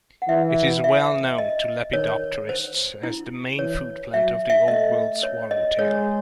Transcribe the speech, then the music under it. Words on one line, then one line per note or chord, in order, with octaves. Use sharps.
It is well-known to lepidopterists as the main foodplant of the Old World swallowtail.
F#5
E3 E5
E5
D#5
D#3 C#5
C5
E4
E3 C#5
F#3 E5
E5
A3 D#5
C#5
D#5
G#3 C#5